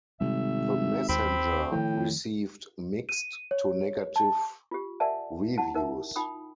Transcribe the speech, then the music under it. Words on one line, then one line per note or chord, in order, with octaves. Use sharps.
"The Messenger" received mixed to negative reviews.
G#1 C3 G3 E5
D#2 C4 B5
A2 D#3 F3 G5
D#7
C#5
A5
F4 G4
A#4 D5 E5 F#5 G#5 A5
E4 F#5 A5
D#4 A#4 E5
D#4 F4 G5 B5 D#6